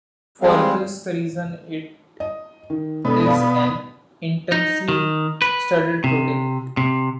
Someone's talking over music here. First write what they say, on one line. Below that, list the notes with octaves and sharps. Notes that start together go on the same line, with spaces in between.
For this reason it is an intensely studied protein.
G3 G#3 C4 F5
D#5
D#3
B2 G#3 B3 D4 A4
D5 F5 B5
D#4
D#3
B4
C3
C3